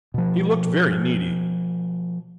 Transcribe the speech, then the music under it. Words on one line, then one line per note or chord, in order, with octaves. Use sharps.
He looked very needy.
B2 F3